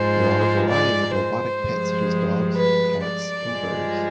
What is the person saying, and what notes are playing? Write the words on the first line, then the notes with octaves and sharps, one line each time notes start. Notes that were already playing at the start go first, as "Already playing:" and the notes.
There are a variety of robotic pets such as dogs, cats, and birds.
Already playing: G#2 F3 G#3 C5
D5
C5
G2 F3 G#3
B4
D5
G2 F3 G#3